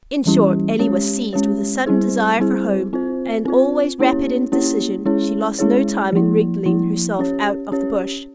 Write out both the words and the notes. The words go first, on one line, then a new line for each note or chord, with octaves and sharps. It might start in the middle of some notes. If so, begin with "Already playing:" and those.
In short, Elly was seized with a sudden desire for home, and, always rapid in decision, she lost no time in wriggling herself out of the bush.
E3 G3 C#4 E4 G4
G#3 C#4 G4 C#5
G#3 C#4 G4 C#5
G3 C4 E4 G#4 C5
G3 C4 E4 G#4 C5
C4 F4 C5
C4 F4 C5
A#3 C#4 E4 G4 C#5
A#3 C#4 E4 G4 C#5
G#3 C#4 E4 G#4 C#5
G#3 C#4 E4 G#4 C#5
F3 A#3 E4
F3 A#3 E4
C#4 G4 C#5
C#4 G4 C#5